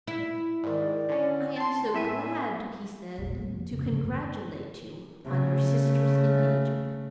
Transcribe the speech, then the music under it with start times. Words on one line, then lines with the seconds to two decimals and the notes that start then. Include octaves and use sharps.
"I am so glad," he said, "to congratulate you on your sister's engagement."
0.08 E4
0.64 G#2 D#3 D5
1.09 D3 C#4
1.56 A5 C6
1.94 A2 E5 G#5 D#7
3.18 E1 A#1 F2
3.38 G3 A3 A#3
3.55 F2 F3
3.72 C#3
3.86 G#2 C#3 F3
4.04 F#2 C#3 E3
5.25 C#3 A3